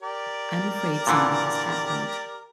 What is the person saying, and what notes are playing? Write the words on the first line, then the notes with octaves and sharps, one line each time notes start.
I'm afraid something has happened.
G4 A#4 D5
A#2 D3 E3